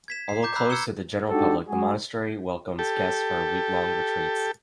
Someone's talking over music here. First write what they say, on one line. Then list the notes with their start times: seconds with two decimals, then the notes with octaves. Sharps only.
Although closed to the general public, the monastery welcomes guests for week-long retreats.
0.08 G#6 B6 E7
0.29 C7
0.43 A#5 D6 G6
0.55 A#5 B5 E6 F#6 C7
0.70 E6 G#6 C#7 E7 G7
1.29 G#3 D4 D#4 F#4 G4 A4
1.68 G#3 F#4 G#4
2.79 G4 A4